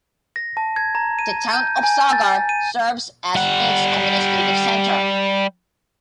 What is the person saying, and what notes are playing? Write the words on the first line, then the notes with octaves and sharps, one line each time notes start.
The town of Sagar serves as its administrative center.
A#6
A5
G#6
A#5
D#7
G6
G#5
A6
D#7
G3 F#5